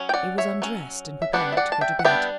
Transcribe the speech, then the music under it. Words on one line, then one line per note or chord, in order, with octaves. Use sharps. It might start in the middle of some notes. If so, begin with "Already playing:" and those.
He was undressed and preparing to go to bed.
Already playing: F#3 C#4
G5
D5 F#5
C#5 E5
F#3 C#4
E5
G3 B3 D4 D5 F#5
E5
D5 F#5
A5
E5 G5
F#5
G3 B3 D4 E5 G5